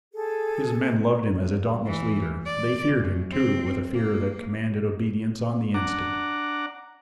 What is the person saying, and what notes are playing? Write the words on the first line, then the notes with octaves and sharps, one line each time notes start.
His men loved him as a dauntless leader; they feared him, too, with a fear that commanded obedience on the instant.
G#4 A4
E3
D5
F#2
C4
A#3
D4 D5 F#5 A#5